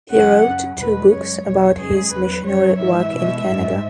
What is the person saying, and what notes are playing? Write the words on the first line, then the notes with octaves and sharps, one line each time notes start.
He wrote two books about his missionary work in Canada.
F#2 C#3 E3 F#5
F#2 C#3 F#3
E2 B2 G#3 B4
F#2 C#3 G#3 C#5
E2 B2 F#3 C#5
F#2 C#3 G#3 G#4
E2 C#3 F#3 B4
F#2 C#3 F#3 C#5
G#2 E3 G#3 E5
B2 G#3
G#2 G#3